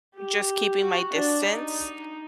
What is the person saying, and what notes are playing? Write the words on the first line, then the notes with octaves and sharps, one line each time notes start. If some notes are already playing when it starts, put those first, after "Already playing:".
just keeping my distance.
G4
F#4
D4
D#4